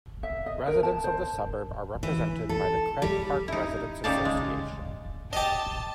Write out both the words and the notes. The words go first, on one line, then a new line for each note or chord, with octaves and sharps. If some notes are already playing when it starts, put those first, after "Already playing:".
Residents of the suburb are represented by the CraigPark Residents Association.
E5
D#5
A#4
A5
C5
E3
A4
G3
D#4 E4
C#3 D#4 G4 D5 F5 A5
G#3
G4 D#5 A5